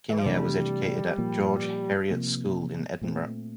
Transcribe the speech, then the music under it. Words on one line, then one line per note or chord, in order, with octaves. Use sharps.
Kinnear was educated at George Heriot's School in Edinburgh.
E3
F3
C3 E3 G3 A3 D4
A#2 F3 A#3
C3 F3 A#3
A#2 A3 C4